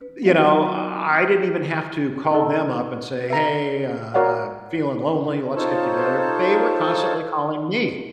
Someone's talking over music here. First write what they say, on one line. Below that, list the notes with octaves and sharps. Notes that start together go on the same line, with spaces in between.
you know, I didn't even have to call them up and say, "Hey, uh, I'm feeling lonely, let's get together," they were constantly calling me.
B4
F#3 B3 C4 F4 D#5 F5
D#4 F#4
D#4 A4
E5 A#5
F#4 A#4 C#5 D5 F5 F#5
D#4 F4 A4 C5 C#5 A5